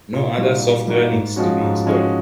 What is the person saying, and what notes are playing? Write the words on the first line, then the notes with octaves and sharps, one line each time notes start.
No other software needs to be installed.
A#2
G3 A#3 D#4 F#4
A#2
G3 A#3 D#4 F#4
G#2
F3 G#3 C#4 F#4
G#2
F3 G#3 C#4 F#4